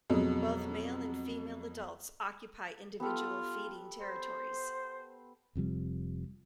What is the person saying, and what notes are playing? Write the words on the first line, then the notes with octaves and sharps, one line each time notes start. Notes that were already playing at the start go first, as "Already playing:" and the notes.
Both male and female adults occupy individual feeding territories.
F2 B2 F#3 G#3
B3 F4 G4 A4
C5
F1 C3 F3 G3